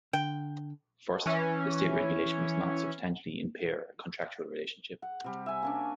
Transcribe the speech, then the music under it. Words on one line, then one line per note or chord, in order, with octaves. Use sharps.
First, the state regulation must not substantially impair a contractual relationship.
D3 G5
E3 C#4
F#5
C3 G3
E5 G#5
A#3 C#4 D4